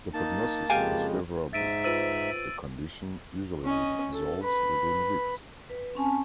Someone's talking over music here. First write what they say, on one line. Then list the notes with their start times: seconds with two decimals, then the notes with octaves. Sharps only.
The prognosis is favorable-the condition usually resolves within weeks.
0.14 A#3 D#4 A5
0.70 F2 C#3 G#3 G4 F5 G#5
1.53 G#2 E5 A6 D7 D#7
1.84 F4 B4 C5 E6 A6 D#7
3.64 C#4 D#5
4.13 A4
4.43 B4 B5
5.70 B4
5.95 C4 C#4 G#5 A5